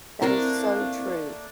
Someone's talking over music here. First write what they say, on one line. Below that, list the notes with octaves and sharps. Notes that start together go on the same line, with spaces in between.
That is so true.
A3 A#3 C4 D4 E4 A#4 C5